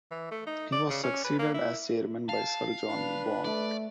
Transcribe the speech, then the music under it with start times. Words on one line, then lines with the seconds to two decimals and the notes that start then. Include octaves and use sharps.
He was succeeded as chairman by Sir John Bond.
0.11 E3
0.31 A3
0.46 D#4
0.72 D5
0.90 C#3
1.03 C#4
1.24 B4
1.39 A#3
1.54 E4
2.29 F5 A5
2.88 D4 B4
3.44 A3 D5